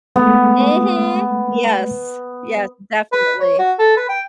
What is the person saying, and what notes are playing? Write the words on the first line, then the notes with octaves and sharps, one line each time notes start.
Mhm. Yes. Yes, definitely.
G#3 A3 B3
B4
C#5
F#4
A4
B4
G5